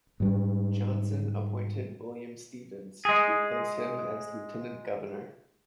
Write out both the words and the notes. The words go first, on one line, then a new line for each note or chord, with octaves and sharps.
Johnson appointed William Stephens to replace him as lieutenant governor.
G#2 G3
G#3 G#4